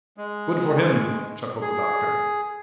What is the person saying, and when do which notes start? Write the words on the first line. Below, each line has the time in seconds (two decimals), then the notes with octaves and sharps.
"Good for him," chuckled the Doctor.
0.17 G#3
1.61 G#4